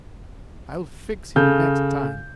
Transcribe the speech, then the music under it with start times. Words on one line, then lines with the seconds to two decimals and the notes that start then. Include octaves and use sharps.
I'll fix him next time.
1.36 C#3 A4 G6